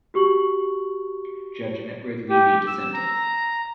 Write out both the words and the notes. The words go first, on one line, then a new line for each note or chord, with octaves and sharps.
Judge Edward Leavy dissented.
F#4 G4 C#6 F#7
G4
E6
A#5